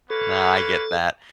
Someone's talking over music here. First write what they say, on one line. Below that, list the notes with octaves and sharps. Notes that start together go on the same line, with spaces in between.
No, I get that.
A#3 A4 B4 C#5